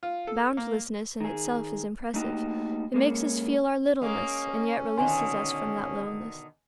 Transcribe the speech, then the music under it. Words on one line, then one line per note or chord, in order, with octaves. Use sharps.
Boundlessness in itself is impressive; it makes us feel our littleness, and yet releases us from that littleness.
F4
A4
A#3
D#3 G#4
A3 A#3 D#4 F#4 G4
G#3 A#3 C#4
G#3 A#3 C#4
B2 D3 D#3 C5 G#5 C6